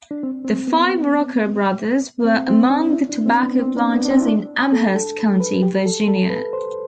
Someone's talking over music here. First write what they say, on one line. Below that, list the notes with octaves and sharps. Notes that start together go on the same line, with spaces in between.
The five Rucker brothers were among the tobacco planters in Amherst County, Virginia.
D4
C4
C4
B3
C4
C4
D4
E4
D4
C4
B3
C4
D4
B3
D4
C4
E4
D4
A4
A4
B4
G4
A4
A4
B4
C5